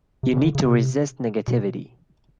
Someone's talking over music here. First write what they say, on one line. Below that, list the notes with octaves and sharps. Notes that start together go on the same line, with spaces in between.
You need to resist negativity.
C3
C#3
D3
C#3
C3
B2